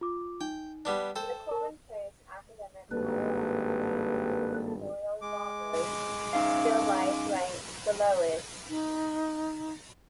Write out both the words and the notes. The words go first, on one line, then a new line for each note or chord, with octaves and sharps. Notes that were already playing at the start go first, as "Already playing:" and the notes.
In the commonplace Academic hierarchic ranking of pictorial genres, still life ranked the lowest.
F4 D6
D#4 G5
G3 B3 D4
A4 C5 G5
A#4 A5
G#1 G2 G3 A#3 A4 B4
G#3 D6
C#4 D#4 F5
D#4